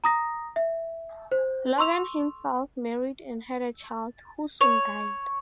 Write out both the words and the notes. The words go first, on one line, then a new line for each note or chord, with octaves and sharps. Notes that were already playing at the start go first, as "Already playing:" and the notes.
Logan himself married and had a child, who soon died.
A#5 D#6 A#6
E5
C5
C6 C#6 E6 F7
C#5